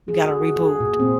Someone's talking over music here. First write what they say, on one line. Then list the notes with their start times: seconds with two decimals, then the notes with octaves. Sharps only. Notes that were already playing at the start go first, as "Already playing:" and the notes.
You gotta reboot.
0.08 G#4
0.24 F#4
0.56 G#4
0.80 A#2
0.99 C4